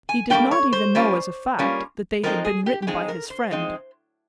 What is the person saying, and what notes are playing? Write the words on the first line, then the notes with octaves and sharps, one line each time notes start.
He did not even know, as a fact, that they had been written by his friend.
G#5
G3 A#3 C#4 F4 G5
C#5
C5
G3 A#3 C#4 F4
G3 A#3 C#4 F4
F3 G#3 C4 D#4 A#4
G#4
G4
G4
F3 G#3 C4 D#4 G#4
A#4
C5
F3 G#3 C4 D#4